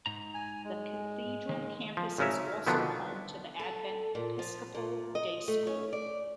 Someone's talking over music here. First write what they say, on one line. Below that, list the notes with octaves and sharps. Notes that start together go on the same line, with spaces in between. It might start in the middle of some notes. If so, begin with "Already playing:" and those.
The Cathedral campus is also home to the Advent Episcopal Day School.
G#2 A#5
G#5
G#3
D#3 A#3 D#4
F3
G#1 C#3 C#4 A#4 E5
B2 D3 D#3 F3 B3 D4
A4
A#2
F3
A#2
D#5
A3
C#4
D5